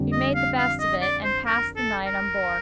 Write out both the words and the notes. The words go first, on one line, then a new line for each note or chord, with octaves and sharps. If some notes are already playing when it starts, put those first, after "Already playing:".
We made the best of it, and passed the night on board.
Already playing: F2 D3 G3
D#5
F5
F5
D#5
D5
C5
A#4
A4
A#4